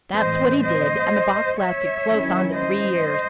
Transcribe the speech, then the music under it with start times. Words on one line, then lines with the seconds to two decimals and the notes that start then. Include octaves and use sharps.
That's what he did, and the balk's lasted close on to three years.
0.16 A2 E3 C4 C5 D#5
0.64 C5 D#5
1.59 C#5 E5
2.06 D#3 F#3 C#4 E4
2.55 C5 D#5